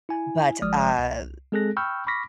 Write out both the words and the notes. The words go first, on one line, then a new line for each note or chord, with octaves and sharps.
but, uh,
E4 G#5
G#1 F3 G#3 D5 D#6 F6
C2
G#3 C4 G#4 A4 F#6 A#6
G5 B5 C#6 E6 F6 G6
B5 C#6 D6 F6 A#6 B6